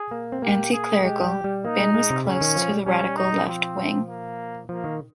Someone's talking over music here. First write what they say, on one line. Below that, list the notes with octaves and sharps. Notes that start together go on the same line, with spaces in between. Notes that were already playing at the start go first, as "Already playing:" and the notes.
Anticlerical, Bin was close to the radical left wing.
Already playing: G#4
A#3
C4
A#3 G4
G#4
G#3 G4
G3
G3
A#3 D#4
G#3
G#3
C3
C#3 C#4
D#3
F3
G3
G3 C#4
D#4
F3 C4
A#3
F3 A#3
D#3